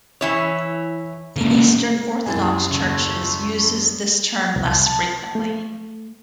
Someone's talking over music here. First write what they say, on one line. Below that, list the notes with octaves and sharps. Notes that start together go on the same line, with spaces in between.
The Eastern Orthodox Churches uses this term less frequently.
E3 E4 C#5
A#2 C#3
C2 F#2 E4 G4 G#5 A6
D#2 C#3 A3
C2
A5
A3